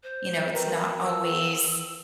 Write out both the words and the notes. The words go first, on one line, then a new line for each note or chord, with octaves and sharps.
you know, it's not always
C5
F#4 A#4 B4 G5
E6